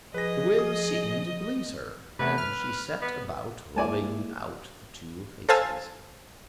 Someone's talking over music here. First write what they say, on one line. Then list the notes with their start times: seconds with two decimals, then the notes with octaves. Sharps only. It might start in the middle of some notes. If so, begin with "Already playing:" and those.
The whim seemed to please her and she set about rubbing out the two faces.
0.14 F3 G#4 B4 D#5 A#6
0.59 F3 D#6
2.19 C3 A3 B3 B4
2.38 F6
3.01 B3
3.76 G#3 A#3 E4 D5 G#5 A5
5.49 A4 C5 F5 G#5 A5 E6